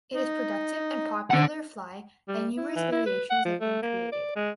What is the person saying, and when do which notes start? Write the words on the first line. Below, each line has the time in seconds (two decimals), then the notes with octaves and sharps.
It is productive and popular fly and numerous variations have been created.
0.15 D#4
1.30 D4 F#5
2.28 G3
2.57 E4
2.76 E3
2.92 E4
3.06 B4
3.30 F#5
3.45 F3
3.61 A3
3.82 A#3
4.12 D5
4.36 G#3